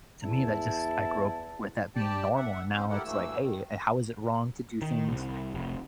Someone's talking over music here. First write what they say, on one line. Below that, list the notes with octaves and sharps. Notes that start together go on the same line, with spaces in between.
to me, that just I grew up with that being normal, and now it's like, "Hey, a how is it wrong to do things
E2 E4 A5
G4 D5 G5 A5
E5 F#5
C4 C#4 C5
E4 G4 A4 A#4 F#5
G2 E3 F#3 A3 A#3 E6
D#3
D#3
C2
F1